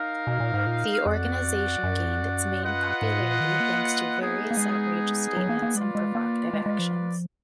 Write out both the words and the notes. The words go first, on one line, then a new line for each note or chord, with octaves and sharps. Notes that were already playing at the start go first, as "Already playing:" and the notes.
The organization gained its main popularity thanks to various outrageous statements and provocative actions.
Already playing: D#4 A#4 F5
B2
A#2
G#2
A#2
F2 F#4 D5 F#5
F#2
F2
F#2
F4 B4 D#5 F#5
G#2
A#2
D#3
A#3
B3 D#4 G#4
A#3
G#3
F#3
A#3
A#3
G#3 F4 B4 D5
G#3
A#3
G#3
G#3
F3